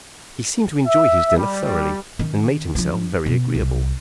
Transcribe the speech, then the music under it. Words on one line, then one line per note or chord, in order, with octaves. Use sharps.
He seemed to enjoy his dinner thoroughly, and made himself very agreeable.
E5
G3
D#3 C#4
F3 D4
B2
C2